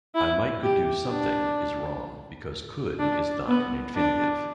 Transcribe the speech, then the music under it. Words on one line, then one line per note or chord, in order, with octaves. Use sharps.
"I might could do something" is wrong because "could" is not an infinitive.
E4
G4
D4
D4
B3
D4